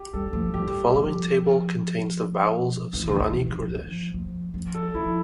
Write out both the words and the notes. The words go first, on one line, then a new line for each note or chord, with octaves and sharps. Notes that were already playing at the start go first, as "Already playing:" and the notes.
The following table contains the vowels of Sorani Kurdish.
Already playing: G4
G3 A4
F3
G3 G4
F3 G4
E3
D3
E3
F3
F3
F3
F3
A4
F3 E4